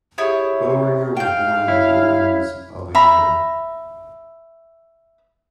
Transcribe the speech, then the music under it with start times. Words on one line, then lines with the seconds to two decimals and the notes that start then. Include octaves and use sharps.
Bohringer was born in Moulins, Allier.
0.18 E4 G4 G#4 C#5 C#6 D#6
1.17 F5 G5 G6
1.68 E4 C#5
2.95 E5 A#5 B5